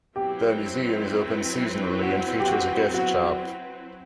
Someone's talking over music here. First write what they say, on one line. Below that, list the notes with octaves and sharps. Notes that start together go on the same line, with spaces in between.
The museum is open seasonally and features a gift shop.
F#3 C4 E4 G4 B4
F#4
G4
F#4
F#4